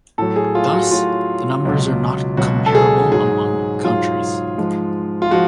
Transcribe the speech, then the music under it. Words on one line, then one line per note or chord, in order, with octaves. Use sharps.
Thus, the numbers are not comparable among countries.
A2 F#3 A4
G#4
F4
F#4
A2 F#3 F4
C#2 B2 F#3
C#2 B2 F#3 F#4
A4
G#4
G#2 F#3 G#4
G#2 F#3 F4
G#2 F3 G#3
F4
F3 G#3 F#4